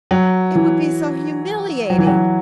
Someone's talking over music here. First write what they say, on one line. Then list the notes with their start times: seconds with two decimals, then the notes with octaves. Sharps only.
It would be so humiliating.
0.11 F#3
0.55 E3
1.90 F#3
1.98 E3
2.07 F#3